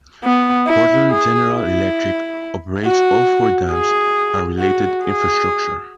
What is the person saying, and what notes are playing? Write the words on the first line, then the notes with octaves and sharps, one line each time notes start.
Portland General Electric operates all four dams and related infrastructure.
B3
E4
G#4
E4
F#4
G#4
F#4
G#4